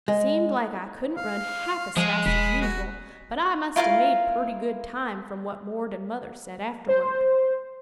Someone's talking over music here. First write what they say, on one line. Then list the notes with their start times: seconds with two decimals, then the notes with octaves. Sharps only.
Seemed like I couldn't run half as fast as usual, but I must 'a' made purty good time, from what 'Mord' an' Mother said afterward.
0.08 G#3
1.17 F5
1.97 F3 G#3 G#4
2.26 E1 B5
2.61 F#4
3.76 E4 F4 A#4 F5
6.89 C5